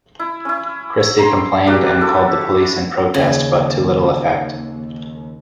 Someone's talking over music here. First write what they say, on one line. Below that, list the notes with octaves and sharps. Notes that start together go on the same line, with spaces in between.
Christie complained and called the police in protest but to little effect.
E4
C#4 E4
C#5
A#5 C6
A#3 D4 F#4 G4
E4 A4
D#2 C#3